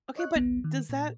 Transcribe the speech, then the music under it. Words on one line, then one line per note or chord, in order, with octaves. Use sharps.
Okay, but does that
C#5 D#5 C#6 F#6
A1 D2 B3
D#3
A#2